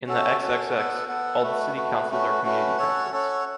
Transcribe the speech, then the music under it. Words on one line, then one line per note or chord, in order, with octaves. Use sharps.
In the XXX, all the City Councils are Community Councils.
C#4 F#4 A4
C#4 F#4 A4
B3 A4 F#5
B3 A4 F#5
A3 F#4 B4
A3 F#4 B4
A3 C#4 F#4 B4
A3 C#4 F#4 B4
C#4 A4 C#5 F#5
C#4 A4 C#5 F#5